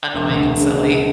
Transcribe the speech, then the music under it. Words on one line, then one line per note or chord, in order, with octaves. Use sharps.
annoying and silly,
E1
D2
E1
C#3
E1